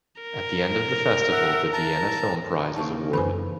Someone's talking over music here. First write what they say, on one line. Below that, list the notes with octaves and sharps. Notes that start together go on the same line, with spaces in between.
At the end of the festival, the "Vienna Film Prize" is awarded.
A#4
E5 F#5
A5 A#5
C#3 A#3 D#4 A5 C#6
F#2 E3 C4 B4 C5 G#5 B5